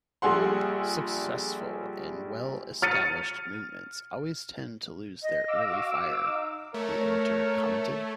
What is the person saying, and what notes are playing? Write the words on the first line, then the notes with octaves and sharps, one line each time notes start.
'Successful and well-established movements always tend to lose their early fire', the editor commented.
A#1 G3 G#4 A4 F#5 C6
F6 A6 C#7 D#7
D#5
F5 D6 E6
F#4
D#4
A3 A#4 C#5